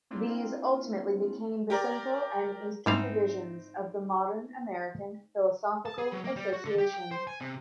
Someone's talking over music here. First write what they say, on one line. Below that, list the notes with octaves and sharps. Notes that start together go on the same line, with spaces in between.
These ultimately became the Central and Eastern Divisions of the modern American Philosophical Association.
A#3 C4 D4 E4 F4
G4 A#4 D5
G#2 G3 C4 D#4 E4 F5
A5
G#4
F#3
A#3
G3
F#4
D3
G4
G5
C5
G#5
C3